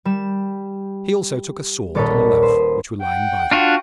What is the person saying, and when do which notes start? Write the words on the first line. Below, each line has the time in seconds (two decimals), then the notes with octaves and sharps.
He also took a sword and a loaf, which were lying by them.
0.05 G3 E7
1.95 D#1 A#1 A4 C#5 D#5 B5
2.42 B4 C5
3.02 F#5 G5
3.51 D4 F4 F#4